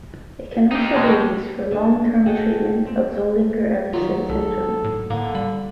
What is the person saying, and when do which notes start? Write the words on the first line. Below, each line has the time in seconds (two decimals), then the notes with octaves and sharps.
It can also be used for long-term treatment of Zollinger-Ellison syndrome.
0.71 D#4 G4
0.96 B2 G#3
1.71 D3
2.26 F#4 G#4 A4 C#5 D#5 G5
2.86 C4
3.93 D#3 F#3 F4
4.29 C2 A4
4.84 A2
5.10 A2 D3 A#3
5.35 G3 B5